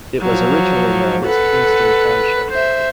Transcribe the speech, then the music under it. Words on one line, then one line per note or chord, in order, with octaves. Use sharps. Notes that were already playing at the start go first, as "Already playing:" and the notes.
It was originally known as Kingston Township.
F3 F#3
A4 B4 F#5
C5 E5